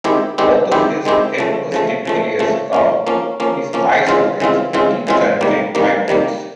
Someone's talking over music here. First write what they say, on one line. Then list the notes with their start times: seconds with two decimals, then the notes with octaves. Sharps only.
Although his head was typically a skull, his eye sockets did contain eyeballs.
0.04 D#3 G#3 C4 E4 G4
0.38 D#3 G#3 C4 E4 G4
0.72 D#3 G#3 C4 E4 G4
1.05 D#3 G#3 C4 E4 G4
1.38 C#3 F3 A3
1.72 C#3 F3 A3
2.05 C#3 F3 A3
2.39 C#3 F3 A3
2.73 F3 A#3 C#4
3.07 F3 A#3 C#4
3.40 F3 A#3 C#4
3.73 F3 A#3 C#4
4.07 C#3 E3 G#3 C4 F4
4.40 C#3 E3 G#3 C4 F4
4.73 C#3 E3 G#3 C4 F4
5.07 C#3 E3 G#3 C4 F4
5.41 C3 D#3 G3 A#3
5.75 C3 D#3 G3 A#3
6.08 C3 D#3 G3 A#3